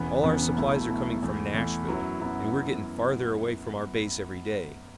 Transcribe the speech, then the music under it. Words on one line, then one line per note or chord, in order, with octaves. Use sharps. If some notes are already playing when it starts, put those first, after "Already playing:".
"All our supplies are coming from Nashville, and we are getting farther away from our base every day."
Already playing: E1 E2 C#3 E3 B3
E1 E2 C#3 E3 B3
B1 B2 A3 E4
B1 B2 A3 E4
E2 E3 A3
E2 E3 A3
F#2 F#3 B3 E4
F#2 F#3 B3 E4